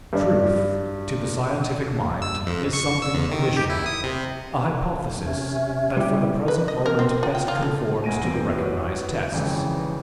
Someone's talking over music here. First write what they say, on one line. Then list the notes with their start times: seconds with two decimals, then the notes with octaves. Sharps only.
Truth to the scientific mind is something provisional, a hypothesis that for the present moment best conforms to the recognized tests.
0.13 G2 D5
2.22 E6
2.47 F2
2.73 C#6
3.02 E6
3.14 E2
3.32 D#3
3.56 G4
3.70 E4
3.86 D#6
4.03 C3
5.26 C3 C#4 E5
5.97 G3 E4 G4
6.48 B4
6.68 D#5
6.86 A#4
6.99 C4
7.23 F4
7.35 G5
7.48 F4
7.63 A3
8.04 C2 G#5 A#6 D7 D#7
8.22 E2 A#2 E3 C4 C5 D7
8.55 E4 F#4 G4 B4 C#5
9.32 G#1 F2 C#3 E3 G5